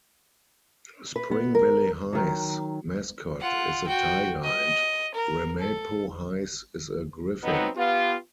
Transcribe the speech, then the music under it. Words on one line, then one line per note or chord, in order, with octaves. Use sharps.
Spring Valley High's mascot is a tiger, and Ramapo High's is a griffin.
B4
B3
A#4
D#3 F#3
F4 F#5
F#4 G5
D#5
A#4
A4
F#3 B3 C4 D#4
B3 F4 G4